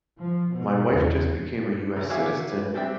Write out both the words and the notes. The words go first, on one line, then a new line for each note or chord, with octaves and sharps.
My wife just became a US citizen,
F3
B2
E2
G#1
F#4 C#5 E5 F5 G#5 D6
B4
G3 C4 D4 E5 G5